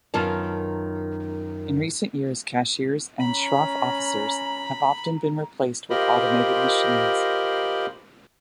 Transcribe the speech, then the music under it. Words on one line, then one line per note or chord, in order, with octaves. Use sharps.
In recent years, cashiers and shroff officers have often been replaced with automated machines.
F#2 D#3 B3 F4 A#4 A5
C#4 A#5 B5
F4 G4 A#4 C5 D#5 B5